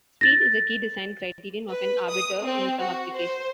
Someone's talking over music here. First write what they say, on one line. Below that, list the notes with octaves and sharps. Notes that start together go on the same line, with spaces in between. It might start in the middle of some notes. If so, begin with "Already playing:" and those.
Speed is a key design criterion of an arbiter in some applications.
A6 A#6
B4
D#6
C4
F#4
C5